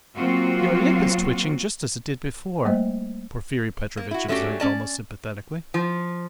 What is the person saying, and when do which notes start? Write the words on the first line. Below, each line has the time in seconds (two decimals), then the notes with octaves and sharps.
"Your lip is twitching just as it did before," Porfiry Petrovitch observed almost sympathetically.
0.15 F#3 A#3 C4 F4 F#4
2.65 G3 A3 A#3 C5 D#5
3.97 A#3
4.11 E4 F#4
4.28 F3 A3 C#4 D4 F#4 G4
4.60 C#4 D5 A5
5.74 F3